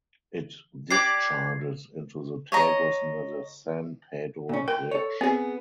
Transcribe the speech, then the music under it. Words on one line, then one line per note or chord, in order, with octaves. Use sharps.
It discharges into the Tagus near the San Pedro Bridge.
D4 G4 D5 G#6 C7
C#5 D#5 A#5
A#2 C#4
A#4 G5
A4 C#5
B3 C4 G#4